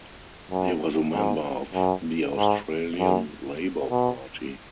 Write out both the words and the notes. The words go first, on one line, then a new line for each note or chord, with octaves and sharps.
He was a member of the Australian Labor Party.
F#2
G#2
F#2
G#2
F#2
B2